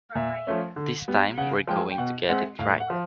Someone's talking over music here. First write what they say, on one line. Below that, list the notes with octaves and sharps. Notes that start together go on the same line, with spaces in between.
This time we're going to get it right.
A#2 E5
F3 A3 C#4
D3
G3 B3
C#3 F#5
F3 G#3 G5
G5
B2 F#5
G#3 C4 F#5
A2 F5
F#5
F3